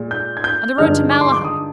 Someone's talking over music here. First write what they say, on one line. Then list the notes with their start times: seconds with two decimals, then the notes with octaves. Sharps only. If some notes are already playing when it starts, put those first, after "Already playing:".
On the road to Malahide.
Already playing: A#2 G#3
0.11 G6
0.37 G#6
0.44 G6
0.77 G2 D3 F3 G#3 D#4 F6
1.11 D6
1.21 C6
1.32 D6
1.44 D#6